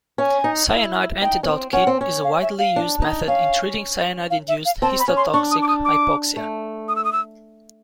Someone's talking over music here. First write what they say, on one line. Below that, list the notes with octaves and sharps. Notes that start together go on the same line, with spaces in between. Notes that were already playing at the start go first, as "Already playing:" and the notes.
Cyanide antidote kit is a widely used method in treating cyanide induced histotoxic hypoxia.
C#4 G#5
D#4
E4
D#4 G5
C#4
C4
C#4 F#5
C4
C#4
F5
E5
F5
D4
D#4
C#4 F5
F5
E5
F5
C4 A5
B5
C#4
C6
D4 C#6
D#6
D6
D#6
D6
A3
D#6
E6
D#6
E6